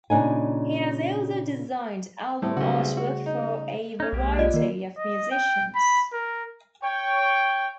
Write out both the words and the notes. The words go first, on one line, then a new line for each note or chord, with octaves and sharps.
He has also designed album artwork for a variety of musicians.
A#2 C#3 D4 D#4 G#5
A2 G3 A3 C5
B1 C#3 F#4
F#4
D#4
C#4 D#4
B1 G#3 A#3 G4
F4 D5 D#5
D#3 A#3 A#4
D#5
G5
B5
A#4
C#5 G5